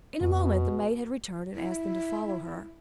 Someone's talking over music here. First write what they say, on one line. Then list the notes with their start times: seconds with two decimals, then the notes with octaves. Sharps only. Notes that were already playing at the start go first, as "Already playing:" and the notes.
In a moment the maid had returned and asked them to follow her.
0.21 F2 B2
1.55 E4